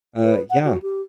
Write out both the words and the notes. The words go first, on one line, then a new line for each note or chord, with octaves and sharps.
Uh, yeah
B4
F#5
F#4
G4